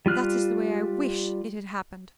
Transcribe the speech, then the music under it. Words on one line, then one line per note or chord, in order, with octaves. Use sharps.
That is the way I wish it had happened.
G3 F4 F6 F#6